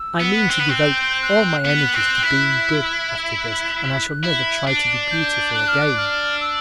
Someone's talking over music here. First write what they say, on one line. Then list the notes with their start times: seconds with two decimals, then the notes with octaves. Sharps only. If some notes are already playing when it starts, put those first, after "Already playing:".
I mean to devote all my energies to being good after this and I shall never try to be beautiful again.
Already playing: E6
0.20 B3
0.36 F#6
0.49 C4
0.60 B3
0.69 C4
0.78 G6
1.22 F#6
1.65 B3
1.94 C4
2.23 E4
3.38 F#6
4.24 E4
4.67 D4
5.11 G6
5.54 F#6
5.68 F6
5.81 F#6
5.98 F6
6.40 E6